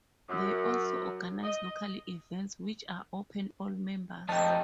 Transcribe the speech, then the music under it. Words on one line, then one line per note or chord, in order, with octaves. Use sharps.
They also organize local events which are open all members.
F#2
D#5
F2 D#4 G5 A5